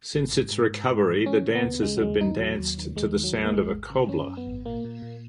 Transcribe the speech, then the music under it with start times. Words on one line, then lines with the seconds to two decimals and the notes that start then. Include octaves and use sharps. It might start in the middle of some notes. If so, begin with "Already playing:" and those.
Since its recovery, the dances have been danced to the sound of a cobla.
0.14 G#1
0.33 G#2
0.52 G#2
0.70 G#2
0.90 G#2
1.08 E3
1.26 E3 C#4
1.45 C#3
1.55 B3
1.64 D#2
1.83 C#3 G#3
1.97 F#3
2.02 D#2 G#3
2.21 E3 D#4
2.39 D#2 F#3
2.59 D#2
2.78 D#3
2.96 D#2 G#3
3.14 D#3
3.24 F#3
3.34 D#2
3.44 A#3
3.53 G#1 G#3
3.71 G#1
3.90 C#3
4.08 F#2 C#4
4.28 F#2
4.37 B3
4.47 G#1
4.66 A#2 A#3
4.85 A#2
5.02 A#2